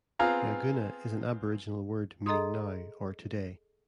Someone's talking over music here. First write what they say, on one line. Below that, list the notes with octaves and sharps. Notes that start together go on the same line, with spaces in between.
Yagoona is an Aboriginal word meaning 'now' or 'today'.
B3 C4 F4 G#4 F5 A#5
G#4 A4 D#5 A#5 C6 D#6